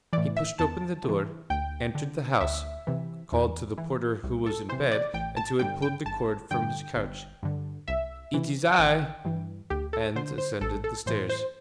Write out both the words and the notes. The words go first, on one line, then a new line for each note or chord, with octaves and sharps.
He pushed open the door, entered the house, called to the porter who was in bed and who had pulled the cord from his couch: "It is I!" and ascended the stairs.
A2 E3 D5
E5
E2 A5
C3 E3
D2 G5
D3
D2 E5
C3 E3
E2
E3
C2
A4
C3 E3 C5
D5
A1 G5
A5
G2 D3 G5
G5
G1 A5
G2 D3 G5
G1
G2 D3
C2 E5
C3 E3
A1 G5
G2 E3
D2 G4
A4
D3 C5
C5
A1 A4
A4
A2 E3 C5
C5